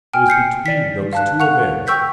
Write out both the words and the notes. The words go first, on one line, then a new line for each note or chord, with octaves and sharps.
It was between those two events.
G5 G#5 F6
G6 C7 C#7
D5 B6
F5 A5 F#6
F#5 C#6 F#6 F7
G5 C#6 E6 G6 B6